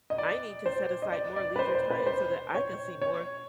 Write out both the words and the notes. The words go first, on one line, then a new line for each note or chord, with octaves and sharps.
"I need to set aside more leisure time so that I can see more
D#5
D5
C5
D#5
D5
D5
B4
C5
C5
B4
C5
C#5
C#5